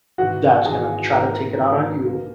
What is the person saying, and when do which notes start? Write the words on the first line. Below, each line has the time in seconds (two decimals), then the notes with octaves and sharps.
that's gonna try to take it out on you
0.18 G#1 G#2 E3 F#4 F#5
0.65 G#1 G#2 E3 G#4 G#5
1.12 G#1 G#2 E3 A#3 A#4 A#5
1.59 G#1 G#2 E3 A#3
2.06 B1 B2 A#3